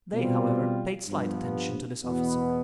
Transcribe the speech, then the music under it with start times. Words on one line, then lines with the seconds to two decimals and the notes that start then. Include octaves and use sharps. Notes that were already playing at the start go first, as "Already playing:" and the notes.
They, however, paid slight attention to this officer.
0.12 B2 G3 C4 F4
1.08 G2 F3 B3
2.04 E2 B2 B3